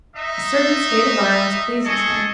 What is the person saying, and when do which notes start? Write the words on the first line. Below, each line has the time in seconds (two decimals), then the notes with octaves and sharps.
A certain state of violence pleases him.
0.16 D#4 D#5 E5
1.84 G#4 A4 D#5 C#6